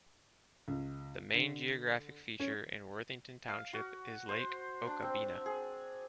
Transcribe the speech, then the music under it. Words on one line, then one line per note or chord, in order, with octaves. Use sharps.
The main geographic feature in Worthington Township is Lake Okabena.
C#2
D3
C#4
F5
F#4
C5
D4
C4
G#4